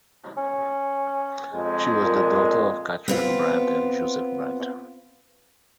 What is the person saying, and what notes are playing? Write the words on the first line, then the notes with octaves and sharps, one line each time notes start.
She was the daughter of Catharine Brant and Joseph Brant.
C#4
F2 G#3
A#2
B3 C4 F4